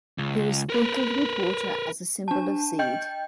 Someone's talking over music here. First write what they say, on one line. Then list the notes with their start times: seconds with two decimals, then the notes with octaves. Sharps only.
He was sprinkled with water as a symbol of seed.
0.18 C#2
0.70 A#4 B4
2.28 D4 A5
2.79 D#5 G5 G6